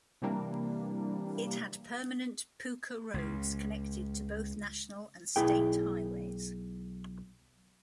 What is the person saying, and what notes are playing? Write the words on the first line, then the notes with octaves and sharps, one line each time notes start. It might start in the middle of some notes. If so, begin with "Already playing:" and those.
It had permanent pucca roads connected to both national and state highways.
C3 E3 G3 A#3 D4
C#2 C#3
B1 E4 G#4 G5